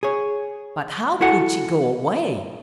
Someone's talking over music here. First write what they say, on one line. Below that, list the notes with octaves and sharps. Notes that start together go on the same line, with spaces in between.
But how could he go away?
G#4 C#5
E4 F#4 A4 F#5 G#5 A5